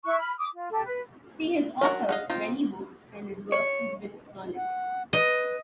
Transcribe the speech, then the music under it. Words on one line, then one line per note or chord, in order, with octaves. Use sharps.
He has authored many books, and his work has been acknowledged.
E4 C#6 F#6
B5 F6
D6 D#6
F4
G4 A4
B4
F#3 A#4 C#5 F#5 C#6
D#5 F5 F#5
C4 D#4 F4
C#5
F#5
B4 D#5